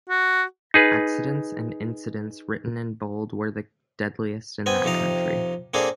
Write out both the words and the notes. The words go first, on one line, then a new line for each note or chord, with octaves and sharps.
Accidents and incidents written in bold were the deadliest in that country.
F#4
D#4 G#4 B4
B3 C4 G#5
F2 C3 D#4 F5
A#3 C4 D4 G#4 A4